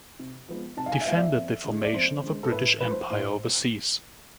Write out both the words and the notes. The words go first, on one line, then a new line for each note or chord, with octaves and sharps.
Defended the formation of a British Empire overseas.
C3
F3 G#3 B3
C3 A5
F5
G#5
E5
F3 G#3 B3 F5
D5
E5
F2
D3 G#3
D5
F2 C5
D3 G#3
A4
A2 B4
F3 A3 B4
C5
A2 C5